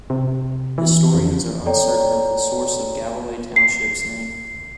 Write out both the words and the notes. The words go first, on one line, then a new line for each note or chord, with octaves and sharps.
Historians are uncertain of the source of Galloway Township's name.
C3
E3
F2
A4 C#5 D5 G5 A#5
C7